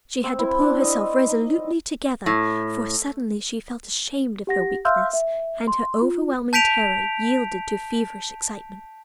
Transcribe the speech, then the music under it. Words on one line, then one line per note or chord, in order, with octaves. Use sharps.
She had to pull herself resolutely together, for suddenly she felt ashamed of her weakness and her overwhelming terror yielded to feverish excitement.
C4
E4
D4
D#5
D#4
A2
G4 F#5 A#6
E5 F5 C6 E6 F6 G6
E5
C6
F4
A5 G6 B6 D7 F7